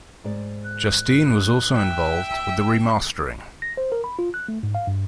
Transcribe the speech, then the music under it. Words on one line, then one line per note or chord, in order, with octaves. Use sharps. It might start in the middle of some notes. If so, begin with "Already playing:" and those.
Justine was also involved with the remastering.
G#2 D5
F#6
E5 G5
E6
A#6
C5
A#4
B5
F4
F#6
A3
G#2
F5
G2